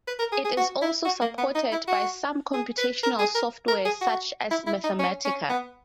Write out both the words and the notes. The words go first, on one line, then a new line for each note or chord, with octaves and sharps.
It is also supported by some computational software such as Mathematica.
B4
A#4
G#4
G#4
F#4
E4
F#4
A#3
B3
D#4
E4
F#4
G#4
B4
A#4
G#4
A#4
A#4
G#4
F#4
E4
E4
D#4
C#4
C#4
B3